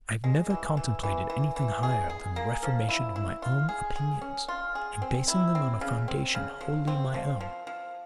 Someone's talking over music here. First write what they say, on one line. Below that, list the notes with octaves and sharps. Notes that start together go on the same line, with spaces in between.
I have never contemplated anything higher than the reformation of my own opinions, and basing them on a foundation wholly my own.
G#3
E3
E3
E3
E3
E3
G#4
G#4
A#3
F3
E4
E4
F4
G#4
G#4
C#4
F4
G#4
C4
E4
C4
C#3
C4
C#3
F3
C4
F3
F3
F3